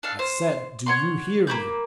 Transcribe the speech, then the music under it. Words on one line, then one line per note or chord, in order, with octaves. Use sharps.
"I said, do you hear me?"
D4 A4 F5
C5
C#5 F#5 C6
A#3 C4 B5 G6